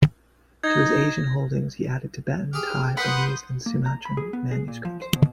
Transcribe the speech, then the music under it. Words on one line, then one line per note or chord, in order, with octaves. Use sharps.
To his Asian holdings he added Tibetan, Thai, Burmese and Sumatran manuscripts.
D#4 G#6 A#6
G4 G#4 G5 F6
A#4 B4 F5 F#5 B5 C6 D#6 G6
A#3
A#5
B5
G#4
B3
G#4
A#2
F3
C5
B2